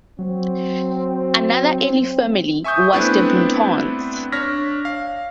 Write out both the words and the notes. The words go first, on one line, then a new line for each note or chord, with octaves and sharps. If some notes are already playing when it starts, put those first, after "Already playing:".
Another early family was the Buntons.
F#3 C4
E5 G#5 C#6 D#6 G6
A3 B3 C4 D4 E4 B4
D4 C#5 F6 A#6 B6
F5